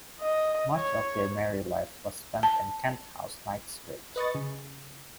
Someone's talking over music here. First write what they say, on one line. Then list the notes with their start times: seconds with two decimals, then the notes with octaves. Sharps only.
Much of their married life was spent in Kent House, Knightsbridge.
0.20 D#5
0.76 C#5
2.43 A5
4.16 B4 D#5 C#6 A6
4.35 C#3